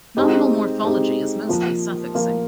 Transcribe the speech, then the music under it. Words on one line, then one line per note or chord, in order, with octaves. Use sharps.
Nominal morphology is mostly suffixing.
G#3 C4 D#4 G4
G#3 C4 D#4 G4
F3 A#3 F4 A#4
F3 A#3 F4 A#4